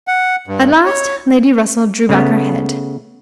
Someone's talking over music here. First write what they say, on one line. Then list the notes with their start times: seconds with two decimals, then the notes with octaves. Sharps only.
At last, Lady Russell drew back her head.
0.08 F#5
0.47 G2
0.86 C#5
2.09 C#3 A3 B3